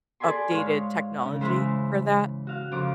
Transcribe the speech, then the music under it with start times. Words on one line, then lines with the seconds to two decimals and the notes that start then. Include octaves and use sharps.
updated technology for that.
0.20 G#4 A4 D5 G#5 B5 C6
0.50 G#2 C#5 F5 C6
1.21 C#3 C#4
1.41 C#3 E3 G#3 C5 B5
2.47 F#4 F5 F#6
2.71 F2 C#3 C5 D6